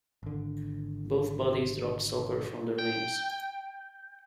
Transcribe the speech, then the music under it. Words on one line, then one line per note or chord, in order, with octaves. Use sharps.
Both bodies dropped "soccer" from their names.
G#1 D3
G5